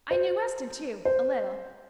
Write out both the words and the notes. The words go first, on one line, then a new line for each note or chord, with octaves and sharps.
I knew Weston, too, a little.
C5
C5